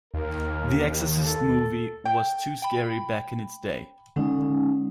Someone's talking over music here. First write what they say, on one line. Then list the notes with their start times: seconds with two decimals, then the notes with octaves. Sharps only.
The Exorcist movie was too scary back in its day.
0.14 D#2 A#4
1.24 A4
2.05 G5
2.62 G5 B5
4.16 D3 G#3 C#4 D#4